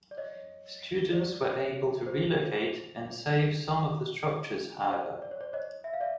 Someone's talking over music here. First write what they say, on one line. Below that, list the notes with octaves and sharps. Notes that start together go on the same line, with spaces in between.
Students were able to relocate and save some of the structures, however.
D5
C#5 D#5
C5 D5
C5
C#5
C5
D#5
C5 D5
D5
C#5
C5 D5
C#5 D#5
E5
F5
D5 E5